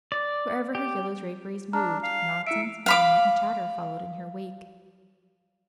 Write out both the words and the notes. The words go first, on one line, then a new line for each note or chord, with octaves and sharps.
Wherever her yellow draperies moved, nonsense, merriment, and chatter followed in her wake.
D5
G4
D4 A#5 F6
F5
E4 E5 C#7 D7
F5 B5 D6